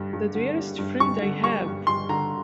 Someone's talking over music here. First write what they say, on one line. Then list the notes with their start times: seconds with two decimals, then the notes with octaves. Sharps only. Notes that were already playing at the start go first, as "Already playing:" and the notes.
The dearest friend I have!
Already playing: G2 D3 G3
0.13 G2
0.35 D3
0.57 G3
0.79 G2
1.00 G2 C#6
1.22 D3
1.44 G3 C#6
1.66 G2
1.87 G2 C6
2.09 D3 A#5